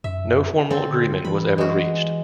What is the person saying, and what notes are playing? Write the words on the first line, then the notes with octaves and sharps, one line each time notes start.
No formal agreement was ever reached.
F#2 E5
D3 C4 A4
E3 B5
G#3 F#4